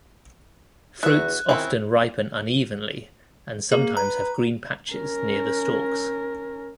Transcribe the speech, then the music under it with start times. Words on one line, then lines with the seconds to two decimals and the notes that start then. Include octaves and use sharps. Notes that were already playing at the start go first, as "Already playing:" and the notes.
Fruits often ripen unevenly and sometimes have green patches near the stalks.
1.03 E2 F#4 E5 F#6
1.49 D#3 C4 C#4 E4
3.72 A#3 G#4
3.97 B4 A#5
4.92 C#4 A#4